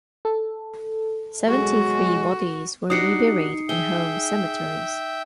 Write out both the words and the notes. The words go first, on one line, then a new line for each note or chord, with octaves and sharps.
Seventy-three bodies were reburied in home cemeteries.
A4
B2 F#3 G#3 F#4
D4 D#4 F#4 G4 D#6 C7 C#7
G#4 E5 G5 G7